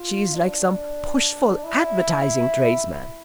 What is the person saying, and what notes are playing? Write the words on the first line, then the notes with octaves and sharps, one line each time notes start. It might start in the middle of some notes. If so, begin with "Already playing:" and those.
She is like some pushful advertising tradesman.
Already playing: F4
D4
E4